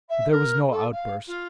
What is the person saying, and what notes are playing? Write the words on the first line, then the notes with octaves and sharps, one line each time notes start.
But there was no outburst.
E5
A#4
A4
F5
F4